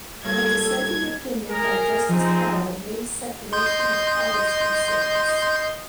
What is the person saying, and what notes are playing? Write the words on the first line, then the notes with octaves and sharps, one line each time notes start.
A dissenting opinion by Justice Powell raised separation of powers concerns.
G2 A#2 A4 C#5 G#6
G#4 A#4
F3 C4 D#4 G#4
D#5 C6 G6